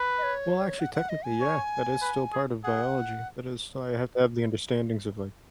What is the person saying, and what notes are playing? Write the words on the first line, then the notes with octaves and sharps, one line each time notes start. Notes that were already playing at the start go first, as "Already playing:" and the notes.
Well, actually technically, yeah, that is still part of biology, that is why I have to have the understandings of like
Already playing: B4
D#5
C#5
F#5
F#5
D#5
G#5
C#5
B4
G#4
G#4 F#5